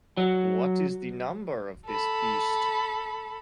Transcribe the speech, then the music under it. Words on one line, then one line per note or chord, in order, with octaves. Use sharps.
What is the number of this beast?
F#3
A4 B5